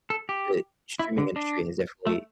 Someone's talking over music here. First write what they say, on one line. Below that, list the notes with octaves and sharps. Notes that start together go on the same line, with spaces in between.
the streaming industry has definitely,
A4
G4
E4
D3
D4
A3